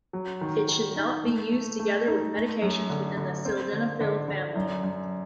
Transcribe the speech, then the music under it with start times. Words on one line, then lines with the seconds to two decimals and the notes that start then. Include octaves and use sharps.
It should not be used together with medications within the sildenafil family.
0.13 F#3
0.41 D#3
0.69 D#3
0.96 D#4
1.23 A3
1.52 A3
1.80 A3
2.07 D#4
2.35 A3
2.62 F#2
2.90 D3
3.17 D3
3.45 C4
3.73 D3
4.01 D3
4.28 D3
4.56 F#2
4.84 F#2